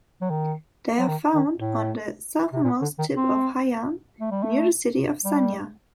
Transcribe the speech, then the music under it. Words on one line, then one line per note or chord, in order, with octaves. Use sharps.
They are found on the southernmost tip of Hainan near the city of Sanya.
F#3
D#3
F#3
D#3
D#3
A2
C3
A#2
D3
D#3
C4
A3
G3
A3
G3